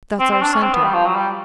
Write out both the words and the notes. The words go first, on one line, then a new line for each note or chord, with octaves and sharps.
That's our center.
C4
C4
D4
C#4
C4
B3
G3
F3
F#3
G3